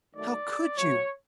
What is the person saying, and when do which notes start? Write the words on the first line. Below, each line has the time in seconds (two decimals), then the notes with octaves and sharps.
How could you?
0.13 D#3 F#3 A3 D5
0.77 B2 F#3 A3 C#5